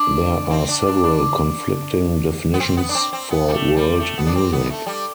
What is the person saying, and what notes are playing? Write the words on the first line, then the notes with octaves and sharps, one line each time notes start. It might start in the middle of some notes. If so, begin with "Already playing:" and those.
There are several conflicting definitions for world music.
Already playing: D4
C4
D4
D4
D4
B3
C4
B3
D4
C4
C4
B3
G3
A3
G3
A3
B3
D4
C4
B3
A3
G3